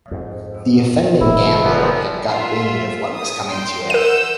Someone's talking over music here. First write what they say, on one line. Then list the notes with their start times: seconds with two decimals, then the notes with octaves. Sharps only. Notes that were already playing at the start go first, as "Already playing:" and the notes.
The offending gambler had got wind of what was coming to him.
0.11 F2 G#2
1.20 F1 D3 D#3 E4
1.61 A#2 F3 B3
2.28 F4 E5
3.12 D#6
3.51 G5 C6
3.90 A#4 F#5 E6 G6 D#7